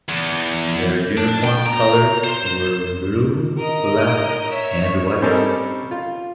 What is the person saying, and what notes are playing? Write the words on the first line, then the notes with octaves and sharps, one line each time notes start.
Their uniform colors were blue, black and white.
E2
D4
G5
A#5
C5
A#4 D#5
C#5 E5
G3 C4 C#4 D#4 A4 A#4
F4